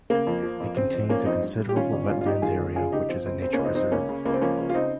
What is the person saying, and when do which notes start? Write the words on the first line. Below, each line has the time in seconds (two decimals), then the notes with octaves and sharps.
It contains a considerable wetlands area which is a nature preserve.
0.10 C#3 A#3
0.27 F2
0.43 F3
0.60 F2
0.77 C#3 C4
0.93 F2
1.09 F3 A#3 C#4
1.26 F2 C4 D#4
1.43 G2
1.59 G3
1.69 G4
1.76 D#3 C#4 F4
1.92 G1
2.09 G2 C#4 F4
2.21 F4
2.26 G3 D#4 G4
2.42 D#3 F4 G#4
2.59 G1
2.75 C#3 F4 G#4
2.92 C#2 D#4 G4
3.09 F3 C4
3.26 C#2 C4
3.42 C#3 C4
3.53 A#3 C#4
3.59 C#2
3.64 C4 D#4
3.75 F3 C4 D#4
3.92 C#2 A#3 C#4
4.09 C#3
4.25 C#2 A#3
4.34 C4
4.42 F3 A#3 C#4
4.58 C#2
4.69 F4
4.74 C#3 C4 D#4